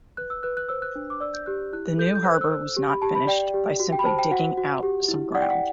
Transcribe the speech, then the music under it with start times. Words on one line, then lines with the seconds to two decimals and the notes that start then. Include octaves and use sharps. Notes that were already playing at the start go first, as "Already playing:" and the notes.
The new harbor was not finished by simply digging out some ground.
0.17 B4 F#6
0.30 E6
0.43 B4 F#6
0.57 F#6
0.69 C5 E6
0.82 F#6
0.95 D4
1.10 D6
1.20 D5 E6
1.34 G6
1.46 G4 F#6
1.73 E4 F#6
1.98 A4 G6
2.15 G6
2.25 C5 F#6
2.35 F#6
2.41 E6
2.51 C5
2.77 G4
2.89 B5
3.02 G4 A5
3.15 B5
3.27 D5 G5
3.54 G4
3.80 F#4
3.92 G5
3.99 B5
4.05 C5 A5
4.19 G5
4.31 F#4 F#5
4.58 F#4
4.83 G4
5.08 E4
5.35 D5 F#5
5.42 G5
5.50 F#5